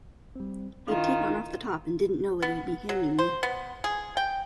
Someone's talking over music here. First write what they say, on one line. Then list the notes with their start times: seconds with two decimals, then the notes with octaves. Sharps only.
He'd take one off the top and didn't know what he'd be handing you.
0.35 G3 C4
0.88 D#3 D4 E4 F4 F5
2.42 B3
2.89 F#3
3.19 C5
3.43 B3
3.84 G#4
4.17 G5